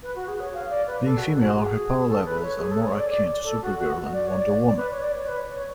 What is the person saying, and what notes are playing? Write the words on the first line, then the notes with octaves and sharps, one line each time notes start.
Being female, her power levels are more akin to Supergirl and Wonder Woman.
B4
F#4
G#4
C#5
F5
D5
B4
B4
A4
F#4
F#4
G#4
A4
B4
C#5
G#4
A4
C#5
D5
D5
A4
F#4
F#4
D5
C#5
D5
D5
B4
C#5
D5
C#5
B4
C#5